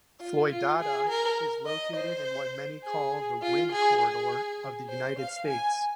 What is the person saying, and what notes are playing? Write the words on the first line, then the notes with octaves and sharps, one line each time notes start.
Floydada is located in what many call the wind corridor of the United States.
F4
F4
G#4
A#4
D#5
C5
G#4
F4
G#4
G#4
C5
F5
G#5